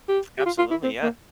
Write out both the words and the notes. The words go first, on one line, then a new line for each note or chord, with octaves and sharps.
Absolutely. Yeah.
G4
G4
F4
F4
E4
C4
A#3